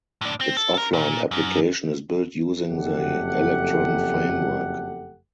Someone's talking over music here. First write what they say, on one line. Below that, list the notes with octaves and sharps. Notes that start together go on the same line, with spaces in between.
Its offline application is built using the Electron framework.
A2 D4
C4
A4
A4 A#4
A#2
F#2
F#1 F2 A3 G4 A4 F#5